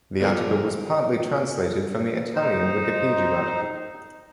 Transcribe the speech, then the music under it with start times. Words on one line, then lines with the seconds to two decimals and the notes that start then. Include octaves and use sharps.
The article was partly translated from the Italian Wikipedia article.
0.20 B2 D3 F3 G3 G#4 A#4
2.35 D#4 C5